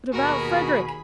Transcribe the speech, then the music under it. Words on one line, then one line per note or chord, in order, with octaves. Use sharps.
'But about Frederick.
D#2 B2 F#4 G#4 A#4 B5